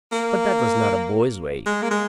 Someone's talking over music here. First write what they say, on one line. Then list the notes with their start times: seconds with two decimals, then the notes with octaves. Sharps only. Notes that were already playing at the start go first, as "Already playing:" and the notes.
But that was not a boy's way.
0.12 A#3
1.66 G#3
1.82 A#3
1.91 G#3